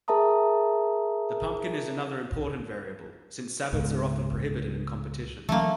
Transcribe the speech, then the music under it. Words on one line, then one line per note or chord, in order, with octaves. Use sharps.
The pumpkin is another important variable since sabots are often prohibited in competitions.
G#4 A#4 E5 A5 A#5 D#6
C#2 G#2 B2
E3 F#3 A3 A#3 C#4